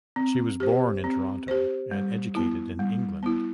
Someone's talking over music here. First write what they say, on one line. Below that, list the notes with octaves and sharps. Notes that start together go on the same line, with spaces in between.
She was born in Toronto, and educated in England.
C4
G4 C5
C4
G4 C5
G3
B3 E4
G3
B3 E4